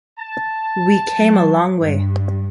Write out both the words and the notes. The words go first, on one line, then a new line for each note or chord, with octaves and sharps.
We came a long way.
A5
F#3
G2